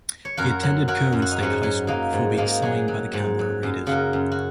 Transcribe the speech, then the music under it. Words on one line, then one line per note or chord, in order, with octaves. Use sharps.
He attended Kirwan State High School before being signed by the Canberra Raiders.
C#5
F#2 F#4 A#4
F#3
F#3 F#4 A#4
F#2
F#4
D#4
G#2 C#4 F#4
F#3
F#3 A#3 D#4
G#2
G#2 A#3 D#4
F#3 D#4 G#4
F#3
G#2
F#3
F#2
C#3 F#4 A#4
F#2
F#4